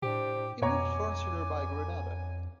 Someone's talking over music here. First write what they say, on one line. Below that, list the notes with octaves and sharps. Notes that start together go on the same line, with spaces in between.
He moved first to nearby Grenada.
A2 D4 G4 C5
F2 B2 C#5 G#5 A#5 D6